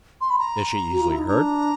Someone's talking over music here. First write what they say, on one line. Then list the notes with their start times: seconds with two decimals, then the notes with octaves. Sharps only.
Is she easily hurt?
0.21 C6
0.30 B5
0.39 A#5
0.91 F#4
1.01 F4
1.09 E4
1.19 D#4
1.27 D4 A#5